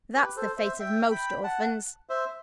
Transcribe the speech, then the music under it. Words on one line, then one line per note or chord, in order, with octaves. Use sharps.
That's the fate of most orphans.
G4 B4
A4 C5
C5 E5
E5 G5
G5 B5
F#5 A5
C5 E5